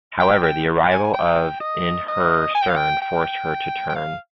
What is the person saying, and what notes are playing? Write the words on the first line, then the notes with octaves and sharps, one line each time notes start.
However, the arrival of in her stern forced her to turn.
G5
G5
G#5
G#5
G5
D#5
D#5
G#5
G5
F5
G5
G5
G5
F5